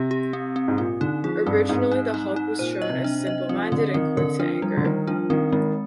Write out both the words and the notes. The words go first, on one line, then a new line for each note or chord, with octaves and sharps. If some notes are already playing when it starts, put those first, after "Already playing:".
Originally, the Hulk was shown as simple minded and quick to anger.
Already playing: C3 G4
G4
C4
C4
G#2
A#2 C4
D3 D#4
F3 G#4
G2 C4
G#2 C4
D#4
D#4
D#4
A#2 C5
D#5
C3
D4
C3
D#5
F3 C4
D3 C4
D#3 C4
D3 A#4
F3 D4
F3 G3
D3
D#3 G3
F3 D4
D#3 C4
D#3 G#3